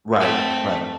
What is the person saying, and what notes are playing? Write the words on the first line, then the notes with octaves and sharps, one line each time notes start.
Right, right.
A3 C4